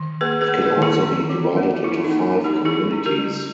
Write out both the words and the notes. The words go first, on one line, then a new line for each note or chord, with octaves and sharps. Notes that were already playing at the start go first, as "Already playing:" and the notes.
It can also be divided into five communities.
Already playing: D#3
A#3 G#4 B4
G#4 B4
A#3
G#4 B4
D#3
E4 G#4
C#4
E3
A#3
E3 E4
D#4
A#3
C#4
D#4 G4
C#4 E4 G#4
C#4
G4 A#4
G3